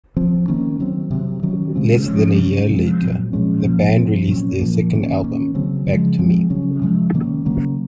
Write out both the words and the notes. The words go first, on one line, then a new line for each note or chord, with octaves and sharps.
Less than a year later, the band released their second album, "Back to Me".
F3 C4
D#3 A#3 C#4
D#3 F#3 C4
C3 F#3 C4
D#3 F#3 C#4
C#3 G#3 C4
F3 G#3 C#4
C3 F#3 C#4
C3 F3 G#3 C4
A#2 F#3 C4
A#2 F3 G#3 C#4
A#2 F3 A#3
C3 F3 C4
A#2 F#3 C#4
A#2 F3 A#3
D#3 A#3 C#4
D#3 A#3 C#4
C#3 F#3 C4
C#3 F3 G#3
F3 G#3 C4
C#3 F#3 C#4
C3 F3 G#3
C3 D#3 A#3 C#4
C#3 F#3 A#3 C#4